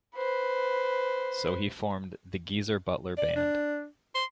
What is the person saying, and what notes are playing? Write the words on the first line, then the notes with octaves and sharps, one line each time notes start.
So he formed the "Geezer Butler Band".
B4 C5
D5
D4
C6